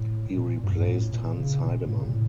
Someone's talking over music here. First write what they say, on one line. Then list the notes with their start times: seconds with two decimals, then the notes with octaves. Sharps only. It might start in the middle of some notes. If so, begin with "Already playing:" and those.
He replaced Hans Heidemann.
Already playing: A2
0.37 A#2
0.62 G2
0.70 F2
0.79 G2
0.87 A2
1.12 A#2
1.38 C#3
1.62 A#2
1.88 A2
1.99 C#3
2.05 A#2
2.13 A2